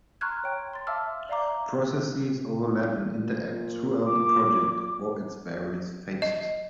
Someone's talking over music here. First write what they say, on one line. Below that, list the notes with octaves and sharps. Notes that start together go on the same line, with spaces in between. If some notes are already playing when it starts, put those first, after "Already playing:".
Processes overlap and interact throughout a project or its various phases.
A#5 C6 C#6 F6 F#6 G#6
C#5 G5
C6 A6
E5 F5 A5 D6 E6 F6
D5 E5 F5 A#5 D6
G1
A#2
D6
D#5